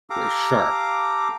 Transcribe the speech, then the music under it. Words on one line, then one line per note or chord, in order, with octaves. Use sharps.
very sharp.
G4 A4 F5 A#5 D6